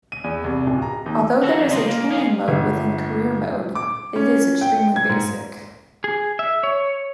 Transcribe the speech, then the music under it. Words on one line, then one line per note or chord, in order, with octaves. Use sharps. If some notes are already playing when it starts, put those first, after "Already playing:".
Although there is a training mode within Career Mode, it is extremely basic.
D#7
E2
C2
D1
A#5
D#2
D3 F#4 A4
F2 D#3
C#3 F#3 G3 D#5 C6
A#3
F2 C#5 D#5 F5 G#5
G1
D6
C#4
G5
G#6
G#2
G#4
E5
C#5